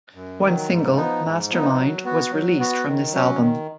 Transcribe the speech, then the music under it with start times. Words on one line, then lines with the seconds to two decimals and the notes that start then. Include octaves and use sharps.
One single, "Mastermind" was released from this album.
0.15 F#2
0.42 D#3 F#3
0.69 G#2
0.96 F3 B3 D#4
1.24 G#2
1.50 F3 B3 D#4
1.77 F#3
2.04 B3 F#4
2.31 F#3
2.59 B3 F#4
2.86 D#3
3.12 F#3 C#4
3.40 D#3